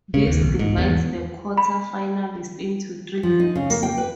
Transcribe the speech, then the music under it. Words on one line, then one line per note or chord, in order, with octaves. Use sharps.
This divides the quarter finalists into three groups.
C#3
D#2
B1
G#2
E2
B5
F3
D#4
C#3
A#3
G5
B4